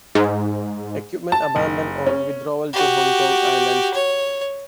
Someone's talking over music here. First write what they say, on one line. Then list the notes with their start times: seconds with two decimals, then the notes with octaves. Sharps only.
Equipment abandoned on withdrawal to Hong Kong island.
0.15 G#2
1.32 A5
1.56 F#1
2.06 C#4
2.73 F#4 G4
3.94 C#5